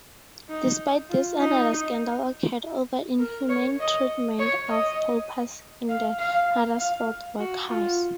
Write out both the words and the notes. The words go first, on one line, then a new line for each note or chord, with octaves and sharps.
Despite this another scandal occurred over inhumane treatment of paupers in the Huddersfield workhouse.
D#4
F4
D#4
A#4
C#5
D#5
C#5
D#5
F5
F5
F5
F#4
F4